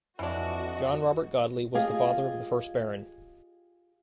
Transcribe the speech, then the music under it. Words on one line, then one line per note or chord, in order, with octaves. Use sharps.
John Robert Godley was the father of the first Baron.
F2 E3 D4 F#4 D#5
F4 G4 G#4 D#5